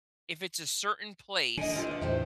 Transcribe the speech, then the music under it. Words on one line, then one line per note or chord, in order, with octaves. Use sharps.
if it's a certain place
D3 D#5 G#5
E4 F4 G4
B4 D#5
E2 A2 E4 G4 C5